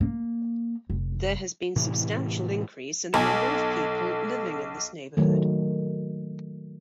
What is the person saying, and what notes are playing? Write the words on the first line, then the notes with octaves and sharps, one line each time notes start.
There has been substantial increase in the number of people living in this neighborhood.
A#3
F1
A2 C3 E3
B1 A4 G#5
D#3 F#3 A3